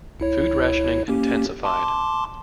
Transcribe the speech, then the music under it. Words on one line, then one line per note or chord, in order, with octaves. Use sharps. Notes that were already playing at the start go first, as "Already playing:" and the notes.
Food rationing intensified.
C#2 E4 C#5
A#3 C#4 G4
A5 C6 D6